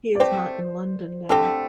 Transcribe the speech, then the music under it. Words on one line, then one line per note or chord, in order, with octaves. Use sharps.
He is not in London now.
D5
A3 C4 G4 C5
D3 A3 C4 G4 A4